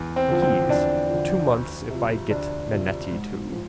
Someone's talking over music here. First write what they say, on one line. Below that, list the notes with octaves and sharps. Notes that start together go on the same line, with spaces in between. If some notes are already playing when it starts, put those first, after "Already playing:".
Keyes: two months if I get Nannetti to.
Already playing: E2
C4
D3 F3
C4
E2 D4
D3 F3
D2
C3 F3
D2 D4
C3 F3
G#2
F3